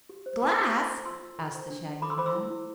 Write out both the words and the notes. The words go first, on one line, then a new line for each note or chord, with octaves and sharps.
"Glass?" asked the Shaggy Man.
G4
C5
F4 B5 D6
F4
A4
C5
F4 C6 E6
F4
A4
C5
D4
D4
A4 B5 D6
C6 E6
C5 B5 D6
C6 E6
E4
E4